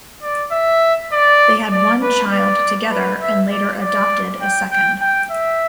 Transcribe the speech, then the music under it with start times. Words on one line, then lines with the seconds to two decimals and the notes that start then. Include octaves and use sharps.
They had one child together and later adopted a second.
0.22 D5
0.52 E5
1.12 D5
1.72 D5
2.02 B4
2.32 D5
2.91 B4
3.21 E5
3.51 D5
3.81 D5
4.41 G5
4.71 G5
5.01 G5
5.31 E5